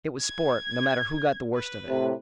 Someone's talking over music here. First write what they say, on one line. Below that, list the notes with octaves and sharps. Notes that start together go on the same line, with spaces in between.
It was sport, no matter who got the worst of it.
G#6
B4
A2 C3